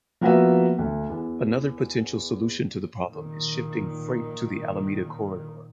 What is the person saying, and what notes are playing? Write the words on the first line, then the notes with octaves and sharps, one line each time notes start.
Another potential solution to the problem is shifting freight to the Alameda Corridor.
F3 A#3 B3 F#4 B4 E5
D2
E2
A#2 D#3